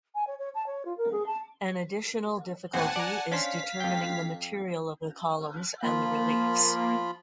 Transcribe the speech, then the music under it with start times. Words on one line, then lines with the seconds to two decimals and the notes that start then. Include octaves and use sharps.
An additional difficulty is determining the material of the columns and the reliefs.
0.15 G#5
0.27 C#5
0.39 C#5
0.55 A5
0.67 C#5
0.85 F4
0.97 A#4
1.12 G#4
1.26 A5
2.73 A1 D#2 C4 F#5 G#5 A5
2.96 D5 A#5
3.31 C#4 D4 C5 F5 B6
3.80 F2 G5
5.83 F3 A#3 F4 B5